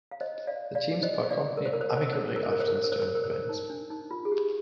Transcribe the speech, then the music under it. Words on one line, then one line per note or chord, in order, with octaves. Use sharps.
The teams part company amicably after this turn of events.
F5
C5 D#5
D5 F5
D5 F5
C5 D#5
D5 F5
A#4
C5
A#4
C5
A#4
C5
A#4
C5
A#4
C5
A#4
C5
A#4
C5
A#4
C5
A#4
C5
A#4
C5
A#4
C5
A#4
D#4
D4
D#4
F4
G#4
G4